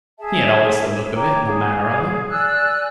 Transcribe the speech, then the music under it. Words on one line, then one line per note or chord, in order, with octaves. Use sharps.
'He had always the look of it, and the manner of it.'
G#4 E5 A5
C#5 G5 A#5 D6
G#4
D5 G#5 E6 F#6